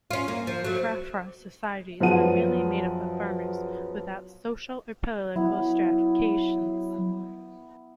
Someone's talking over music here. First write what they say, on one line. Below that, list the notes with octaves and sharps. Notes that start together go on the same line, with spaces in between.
Frafra societies are mainly made up of farmers, without social or political stratification.
C#4 F4
A#3
F3
F#3 A3
F#2 F3 B3 G#4 F#5 D#7
F#3 B3 E4